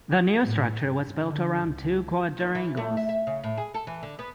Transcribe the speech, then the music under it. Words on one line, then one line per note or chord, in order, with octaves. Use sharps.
The new structure was built around two quadrangles.
A2
G2
D3
C#2
D#2
E3
A3
E5
E5
C#3
A2
G#4
A4
E3
D3
B3